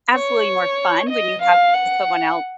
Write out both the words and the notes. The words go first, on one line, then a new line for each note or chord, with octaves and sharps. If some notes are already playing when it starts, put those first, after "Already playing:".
absolutely more fun when you have someone else
C#5
D#5
F5
F#5